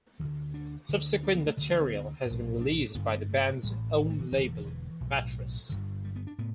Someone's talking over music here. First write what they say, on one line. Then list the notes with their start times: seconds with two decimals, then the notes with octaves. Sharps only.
Subsequent material has been released by the band's own label, Mattress.
0.20 D2 D3 E3
0.54 D4
0.89 D2 D3
1.23 D4
1.35 B3
1.46 A3
1.57 D2 D3 E3
1.69 G3
1.81 B3
2.26 B1 A2
2.61 D4
2.94 G1 B3
2.97 G2 D3
3.06 D4
3.17 B3
3.29 A3
3.63 A1 A2 G3
4.10 A3
4.20 E3
4.32 E1 E2 D3 E3
4.44 G3
4.55 E3
4.66 E3
5.01 B1 A2
5.69 G1 G2 D3
6.05 G3
6.16 B3
6.27 D4
6.38 A2 B3